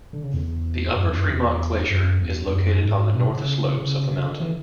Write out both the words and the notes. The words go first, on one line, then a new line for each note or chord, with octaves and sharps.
The Upper Fremont Glacier is located on the north slopes of the mountain.
D3
C#3
E2
F#2
E2
F#2
E2
F#2
E2
E2
F#2
G#2
B2
C#3
C#3
C#3
C#3
D3
E3